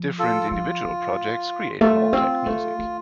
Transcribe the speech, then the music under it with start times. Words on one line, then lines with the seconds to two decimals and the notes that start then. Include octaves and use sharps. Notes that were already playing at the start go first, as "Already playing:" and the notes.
Different individual projects create nortec music.
Already playing: F3
0.19 F4 A4
0.51 F3 F4
0.84 F3
1.80 A3 F4
2.13 C4
2.46 A3
2.79 A3